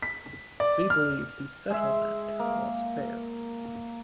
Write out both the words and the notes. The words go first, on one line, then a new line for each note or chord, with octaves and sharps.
We believe the settlement was fair.
B6
D5
F6
G#3 E5
A#3